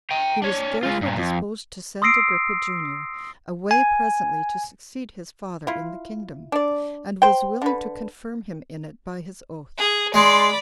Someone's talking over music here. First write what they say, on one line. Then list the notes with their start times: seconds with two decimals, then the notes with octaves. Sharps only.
He was therefore disposed to send Agrippa, junior, away presently to succeed his father in the kingdom, and was willing to confirm him in it by his oath.
0.11 G5 A#5
0.42 D4 C#5
0.83 G#3 F4
1.01 G2 A#2
1.17 F2
2.02 C6 D#6 E6 A#6 C7 D7
3.71 G#5
5.67 E4 F4
6.52 D4 D5
7.22 C5 G5
7.62 D3 B4
9.78 G#4
10.14 G#3 D5 B5 C6